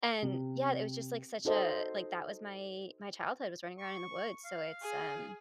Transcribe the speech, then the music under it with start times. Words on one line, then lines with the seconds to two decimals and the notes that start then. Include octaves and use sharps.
and, yeah, it was just like such a like, that was my my childhood, was running around in the woods. So it's, um,
0.23 C3
1.45 D#4 F#4 A4 C5 D#5
3.78 C#6
4.45 F5
4.82 G#4